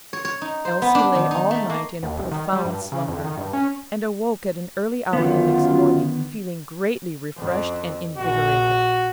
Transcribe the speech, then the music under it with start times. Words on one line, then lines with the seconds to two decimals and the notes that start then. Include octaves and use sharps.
Elsie lay all night in a profound slumber, and awoke at an early hour the next morning, feeling greatly refreshed and invigorated.
0.13 C#5
0.25 C#5
0.41 D#4
0.65 C5
0.82 B3
0.95 D4
1.15 D#3
1.31 D#4
1.51 A3
1.70 A#3
2.03 D#2
2.19 C2
2.31 D#3
2.53 G3
2.65 G2
2.92 C#3
3.08 F2
3.24 D#3
3.37 G2
3.53 C#4
5.13 F#2 D3 D#3 B3 F4
7.39 F2
8.18 A#1 F#4